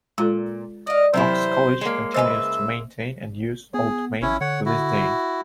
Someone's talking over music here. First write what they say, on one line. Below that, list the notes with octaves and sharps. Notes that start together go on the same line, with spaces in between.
Knox College continues to maintain and use Old Main to this day.
A#2 G#3 F4 A4
D5 D#5 F5
C3 E3 F#3 G3 E4 A#4 C5
G#3 A#3 C#5
C#3 B4 C5 D#5 E5 G#5 A5
B3 G#4
G#1 C#4 E4 C#5
D3 C#5 F#5
E4 F#4